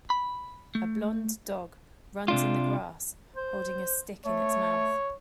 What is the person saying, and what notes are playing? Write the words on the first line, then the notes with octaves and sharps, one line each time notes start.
A blond dog runs in the grass holding a stick in its mouth.
B5
A3
C3 D4 F4
C5
A3 C#5